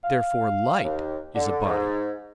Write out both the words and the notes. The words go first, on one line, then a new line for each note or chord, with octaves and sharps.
Therefore light is a body.
F5
D#2
D3
G#2